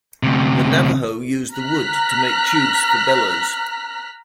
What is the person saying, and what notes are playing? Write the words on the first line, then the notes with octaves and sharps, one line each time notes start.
The Navajo use the wood to make tubes for bellows.
D2 C3
A#5 F6 F#6 B6